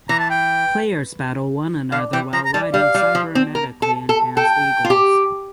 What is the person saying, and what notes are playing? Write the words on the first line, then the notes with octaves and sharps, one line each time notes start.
Players battle one another while riding cybernetically enhanced eagles.
E3 A#5
A5
G5
D3 F5
E3 G5
F3 A#5
A#5
G3 A5
G3 F5
G3
F3
C4
A#4
A4
A4
A4 G5
F4
G4